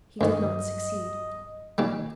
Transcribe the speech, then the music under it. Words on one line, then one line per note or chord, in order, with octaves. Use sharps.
He did not succeed.
D2 G2 D#3 F#3 D#5
A#2 D#3 G3